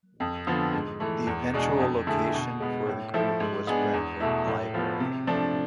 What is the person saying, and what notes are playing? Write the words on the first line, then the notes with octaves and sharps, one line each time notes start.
The eventual location for the group was Brentwood Library.
F2
D3 F3 B3 F4
G#2
E3 A3
E2
B2 G#3 D4 G#4
F2
D3 A3 E4 G#4
B2
G#3 B3
A2
F3 A3 E4 A4
G#2
G#3 B3 D4 G#4
E2
B2 A3 E4
A2
F3 B3 F4
C3
F3 A3 D4